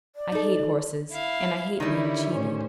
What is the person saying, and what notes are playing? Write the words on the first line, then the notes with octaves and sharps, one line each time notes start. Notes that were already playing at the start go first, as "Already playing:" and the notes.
"I hate horses, and I hate being cheated."
D5
D#4 A4
E4 F5
D3 D#3 G3 E4 C#5
A2 C#4 C5